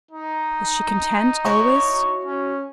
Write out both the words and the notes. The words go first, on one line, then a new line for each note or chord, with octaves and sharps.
Was she content, always?
D#4
E4 F#4 C#5
C#4